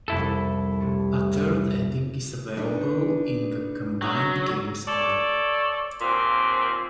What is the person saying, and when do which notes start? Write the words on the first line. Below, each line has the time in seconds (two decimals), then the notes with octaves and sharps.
A third ending is available in the combined games only.
0.08 C2 F2 E4 A4
0.80 C3 A3
2.57 D4 D#4 B4
4.02 F#3
4.87 A4 C#5 D5
6.01 D#2 A#2 C4